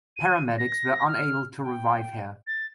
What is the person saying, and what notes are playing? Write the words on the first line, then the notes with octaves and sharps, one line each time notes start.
Paramedics were unable to revive her.
D#7
A#6
F6
G5
A6